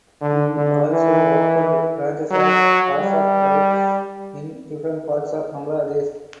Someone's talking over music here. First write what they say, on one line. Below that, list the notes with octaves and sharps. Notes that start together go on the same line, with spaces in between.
He also opened branches of Azad products in different parts of Bangladesh.
D3
D3
E3
F#3
G3